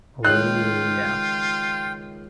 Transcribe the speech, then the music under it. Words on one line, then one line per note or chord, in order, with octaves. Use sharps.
Ooh, yeah.
C#2 D#3 F4 G5 F#6